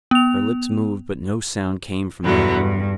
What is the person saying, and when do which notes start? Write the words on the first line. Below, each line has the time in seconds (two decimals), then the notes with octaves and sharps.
Her lips moved; but no sound came from them.
0.11 B3 F7
2.23 E2 G2 B2 D3 F#3 B3
2.56 G2